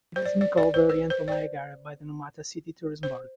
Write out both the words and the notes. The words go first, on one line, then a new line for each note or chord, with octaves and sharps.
It has been called the "Oriental Niagara" by the Numata City Tourism Board.
C5
D5
D5
D5
C5
B4
C5
D5
C5
C5